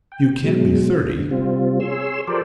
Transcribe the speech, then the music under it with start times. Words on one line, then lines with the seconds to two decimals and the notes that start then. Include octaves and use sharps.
You can't be thirty?'
0.12 G5
0.44 B2 F#3 G#3
1.12 D3
1.31 C3 G3 C4 F4
1.80 G#4 C#5 C6 E6
2.27 F3 G4 A4 A#4 C5 D5